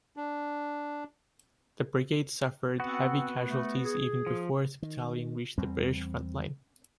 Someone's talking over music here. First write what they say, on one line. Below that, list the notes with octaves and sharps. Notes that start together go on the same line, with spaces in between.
The brigade suffered heavy casualties even before its battalions reached the British front-line.
D4
B3 C4 F#4
A3
G#4
F3
D#3
E2 G3 C4